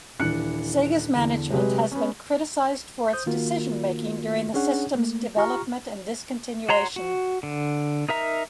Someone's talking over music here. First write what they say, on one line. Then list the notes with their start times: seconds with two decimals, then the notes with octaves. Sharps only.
Sega's management has been criticized for its decision-making during the system's development and discontinuation.
0.20 D#1 E3 D4 F#6 C#7
1.15 E2 D3
1.50 C3 F#3 G#3 G4 B4
1.92 B3 C#4
3.13 C5 D#6 G6
3.26 D#3 A#3 F4 F#4 A#4
4.54 C#4 D4 G#4 C#5 F#5
4.95 A3 A#3
5.37 F4 G4 A#5 C#6 F6
6.69 F#4 C#5 A#5 C6
6.96 F#4
7.43 D3
8.09 D#4 A#4 E5 A#5